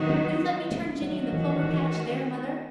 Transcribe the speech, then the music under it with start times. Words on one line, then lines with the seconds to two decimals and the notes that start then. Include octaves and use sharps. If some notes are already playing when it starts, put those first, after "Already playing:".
Will you let me turn Jinny in the clover patch there, mother?
Already playing: D#3 F#3 B3 D#4 F#4
0.10 C#4
0.71 A3
1.02 D#3 F#3 A3 C#4 F#4
1.33 E3
1.63 E3